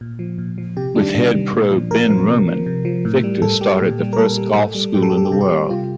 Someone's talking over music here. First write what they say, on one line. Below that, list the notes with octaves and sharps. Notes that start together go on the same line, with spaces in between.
With head pro Ben Roman Victor started the first golf school in the world.
A#2
F3
A#2
F3
C3 G4
D#3 G3 D4
C3 D4
D#3 G3
A#2
F3
A#2 A#4
F3
C3
F3
C3
F3
A2
G3
A2 A4
G3 G4
A#2
G3
A#4
A#2 A4
G3
A2
G3
A2 G4
A4
G4
G3 A4
G4
C3 A4
G4
G3
C3 F4